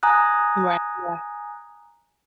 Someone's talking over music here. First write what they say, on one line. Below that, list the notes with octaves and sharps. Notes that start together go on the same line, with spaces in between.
Right, yeah.
G#5 A#5 D#6 F#6